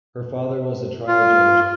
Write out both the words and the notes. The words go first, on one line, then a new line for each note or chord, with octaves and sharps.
Her father was a trial judge.
F4